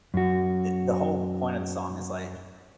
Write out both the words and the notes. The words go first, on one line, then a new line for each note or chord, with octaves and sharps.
i the whole point of the song is like,
F#2 F#4